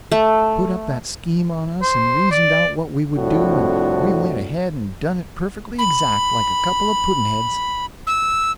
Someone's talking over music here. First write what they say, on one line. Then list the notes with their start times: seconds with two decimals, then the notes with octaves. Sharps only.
He put up that scheme on us and reasoned out what we would do, and we went ahead and done it perfectly exact, like a couple of pudd'nheads.
0.12 A3
1.82 C5
2.31 D5
3.17 C2 F2 A2 D4 F#4
5.79 B5
8.07 E6